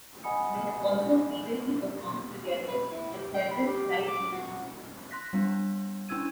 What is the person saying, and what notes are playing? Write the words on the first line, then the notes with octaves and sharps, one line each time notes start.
They have also previously performed together at several live events.
D#5 F#5 G#5 B5 D#6 C#7
B4
E4
G4
G5
B5
G4
D6
F#4
C6 F#6 A#6 B6
G3 B3 D4
C#4 D4 E4 E6 G#6 D#7